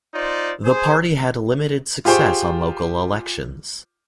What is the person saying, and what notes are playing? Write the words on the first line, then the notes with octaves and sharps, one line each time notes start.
The party had limited success on local elections.
D#4 F4 C5 D5
G#4 C5
F4 G4 G#4 C5 G5 C#6